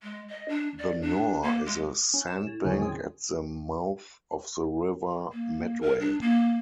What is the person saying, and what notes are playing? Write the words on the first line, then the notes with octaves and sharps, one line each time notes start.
The Nore is a sandbank at the mouth of the River Medway.
G#3
D#5
D4
D5
D4
A#3
G#3
C#4
E7
A2
E2 D3 F#3 C#4
A2 D#3 C4 G#4
A#3
A#4
D4
A#3